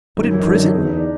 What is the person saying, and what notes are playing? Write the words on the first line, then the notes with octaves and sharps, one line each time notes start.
"But in prison?"
F#2 D#3 D#4
E3 E4
D#4
F#2 D3 D4
D#3 D#4
E2 D#3 D#4
D#4
D4